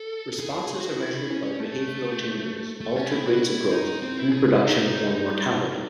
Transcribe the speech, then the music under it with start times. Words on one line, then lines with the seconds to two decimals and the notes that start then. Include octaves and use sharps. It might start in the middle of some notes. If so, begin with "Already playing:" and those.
Responses are measured by behavioural changes, altered rates of growth, reproduction or mortality.
Already playing: A4
0.40 G#4
0.60 G#4
0.80 F#4
1.00 E4
1.30 C#4
1.60 A3
2.81 A3
2.96 C#4
3.11 E4
3.26 F#4
3.42 E4
3.71 D#4
4.02 C4
4.17 E4
4.31 G#4
4.46 E4
4.62 D#4